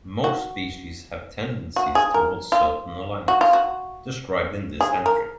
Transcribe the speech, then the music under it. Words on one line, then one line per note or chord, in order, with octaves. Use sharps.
Most species have tendencies toward certain alignments, described in this entry.
F#4
F#4
G#4
A#4
F4
F#4
F4
F#4
G#4
A#4